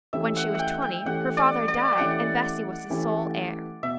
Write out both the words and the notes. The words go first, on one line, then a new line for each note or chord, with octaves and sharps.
When she was twenty her father died and Bessy was his sole heir.
E3 A3 C#4 E4 G4 E5
F#5
F#5 G5
G5
E3 A3 C#4 E4 G4 F#5
D5
D5
G5
E3 A3 C#4 E4 G4 F#5
E3 A3 C#4 E4 G4
B2 E5